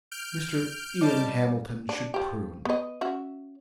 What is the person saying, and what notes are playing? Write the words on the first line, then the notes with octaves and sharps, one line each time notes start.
Mr. Ian Hamilton should prune.
F6 G6 D7
G3 C#5 D#5 A5 D6
D4
F3 G4
B3 D#5
C#4 F#4 E5